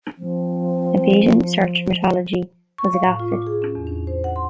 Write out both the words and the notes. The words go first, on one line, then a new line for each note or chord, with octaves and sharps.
A Bayesian search methodology was adopted.
F3 C4
C#6
F5
A2
F4
D6
G#4
C#4
E2
D4
C5
F#5
C6